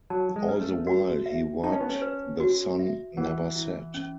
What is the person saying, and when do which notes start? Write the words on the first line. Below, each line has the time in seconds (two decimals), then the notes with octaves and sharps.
All the while he worked the sun never set.
0.10 F#3 A5
0.36 G#3
0.49 B4
0.61 A3
0.87 F#4
1.26 E5
1.64 D#4 A5
1.72 C#4
1.81 B3
1.89 C#4
2.02 B4
2.40 F#4
2.79 E5
3.17 E3 F#5
3.56 E4
3.94 C#4